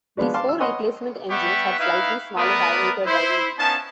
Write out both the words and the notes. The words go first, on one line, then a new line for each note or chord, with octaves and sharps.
These four replacement engines had slightly smaller diameter driving wheels.
F3 G#3 B3 D4 F#4
F5 A5 C6 D6
E6
B4 C#5 D#5 F#5 C6 D#6
G3 B3 G4 E5 F#5 C#6
D#4 E4 B4 F5
A3 B3 A#4 B4 D5 D#6
E4 C5
B3 C#4 D#4 F5 A5